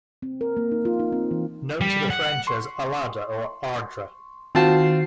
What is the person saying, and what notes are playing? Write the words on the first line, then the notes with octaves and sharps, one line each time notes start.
Known to the French as "Allada" or "Ardres".
C4
A#4
A#3
D#4
F4
D#4
C4
E3
G3
F#5
C6 C#6
D#3 C4 F4 F#4 A5 C7